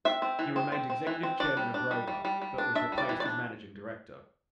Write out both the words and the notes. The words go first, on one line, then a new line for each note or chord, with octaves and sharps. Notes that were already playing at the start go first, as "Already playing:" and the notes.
He remained executive chairman of Rover but was replaced as managing director.
C4 E5
C4
E3
C4
C4
C4
E3
C4
D4 D5
G3
D4
G3
G3
G3
G3
D4
D4 E5
G3
D5
E3
D5
D4